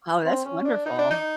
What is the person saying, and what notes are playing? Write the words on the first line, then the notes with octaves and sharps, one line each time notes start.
Oh, that's wonderful.
C4
C#4
D4
D#4
D4
D#4